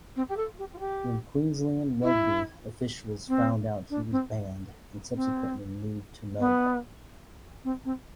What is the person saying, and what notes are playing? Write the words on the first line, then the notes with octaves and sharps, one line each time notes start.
When Queensland rugby officials found out he was banned and subsequently moved to Melbourne.
C4
G4
A4
G4
F4
G4
E4
C4
D4
C4
C4
B3
C4
C4